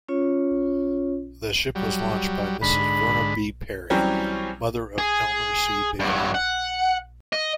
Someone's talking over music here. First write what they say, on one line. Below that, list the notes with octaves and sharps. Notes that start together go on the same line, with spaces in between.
The ship was launched by Mrs. Verna B. Perry, mother of Elmer C. Bigelow.
C#4 F4 C#5
F#3 G3
G#2 D3 B5
E3 F#3 G3 C4 C#4
G#4
G2 F#3
F#5
D#5